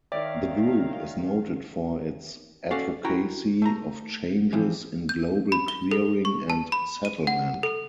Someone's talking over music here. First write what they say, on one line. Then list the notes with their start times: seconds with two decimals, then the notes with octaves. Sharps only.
The group is noted for its advocacy of changes in global clearing and settlement.
0.12 D#3 C#5 D5 E5 F5 G5
2.71 C#4 F#4 A4 D5 F5 F#5
3.04 C#4 E4 F#4 G5 A#5
3.62 A3 A#5
4.53 E3 F3 C4
5.09 G6
5.52 B5
5.68 G7
5.91 A4
6.25 C#6
6.50 A5
6.72 B5
7.05 D#7
7.27 F#5
7.63 A4